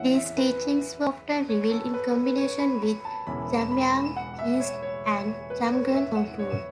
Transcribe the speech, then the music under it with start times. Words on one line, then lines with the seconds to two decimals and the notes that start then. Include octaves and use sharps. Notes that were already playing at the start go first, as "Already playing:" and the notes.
These teachings were often revealed in combination with Jamyang Khyentse and Jamgon Kongtrul.
Already playing: E2 E3 C#4 E4 E5 F#5
0.15 E5
0.37 B4
1.49 C#5
1.71 A4
1.94 B4
2.16 B4
2.38 C#5
2.60 B5
2.83 B5
3.05 A5
3.27 E1 E2 E3 C#4 E4 B5
3.72 B5
4.16 F#5
4.39 E5
4.60 C#5
4.82 C#5
5.06 C#5
5.28 C#5
5.50 B4
5.72 C#5
5.94 E5
6.17 F#5
6.39 C#5